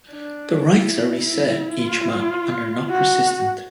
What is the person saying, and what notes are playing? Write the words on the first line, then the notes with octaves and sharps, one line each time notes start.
The ranks are reset each map and are not persistent.
D4
E4
E4
F4
F#4